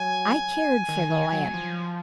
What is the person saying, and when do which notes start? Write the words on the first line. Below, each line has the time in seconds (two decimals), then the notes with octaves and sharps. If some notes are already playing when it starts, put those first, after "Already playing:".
I cared for the lad.
Already playing: F#3 G#5
0.89 D#3
1.10 D#3
1.33 F#3
1.54 F3